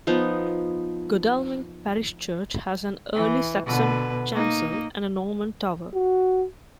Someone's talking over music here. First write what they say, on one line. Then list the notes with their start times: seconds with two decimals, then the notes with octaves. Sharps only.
Godalming Parish Church has an early Saxon chancel and a Norman tower.
0.07 F3 B3 D#4
3.15 E3
3.66 B2 D3 B4
4.34 A#3 D#4
5.94 F#4